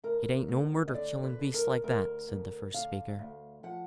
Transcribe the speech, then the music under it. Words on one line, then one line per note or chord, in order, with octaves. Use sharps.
"It ain't no murder killing beasts like that," said the first speaker.
D2 A#4
D2
D#5
D3 D5
B4
D3
A#4
D2 A#4
D2
D3 F5
D2
F3 F#5